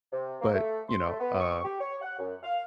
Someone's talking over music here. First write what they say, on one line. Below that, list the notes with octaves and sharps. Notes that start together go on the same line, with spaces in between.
but, you know, a
C3
A#3
A3
C6
A3
B3
C#6
G4
C#5
F#5
F#2
F5